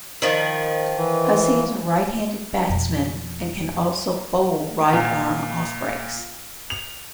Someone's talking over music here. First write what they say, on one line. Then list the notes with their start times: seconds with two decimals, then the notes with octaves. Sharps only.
Hussey is a right-handed batsman and can also bowl right-arm offbreaks.
0.22 D#3 F3
0.97 E3
2.69 F2 B2
4.93 A#2
6.70 F7